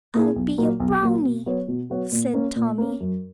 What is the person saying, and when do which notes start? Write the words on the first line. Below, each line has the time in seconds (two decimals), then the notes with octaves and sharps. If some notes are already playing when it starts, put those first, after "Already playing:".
"I'll be a brownie," said Tommy.
0.14 A#2 A#3 E4 G#4
0.36 B1
0.58 A#2 F#3 A#3
0.80 B1
1.01 A#2 F#3 A#3
1.24 B2
1.46 F#3 B3 F#4 C#5
1.68 B2
1.90 F#3 B3 F#4 C#5
2.12 A#2
2.33 A#3 C#4
2.56 A#2
2.78 A#3 C#4
3.00 F#2